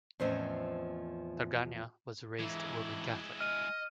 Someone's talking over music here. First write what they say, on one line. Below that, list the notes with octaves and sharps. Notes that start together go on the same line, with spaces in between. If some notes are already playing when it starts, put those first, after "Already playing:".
Draganja was raised Roman Catholic.
E2 A2 F3 C4 C#4 D#5
G#2 E3 G#3 E4
D#5 F6 D#7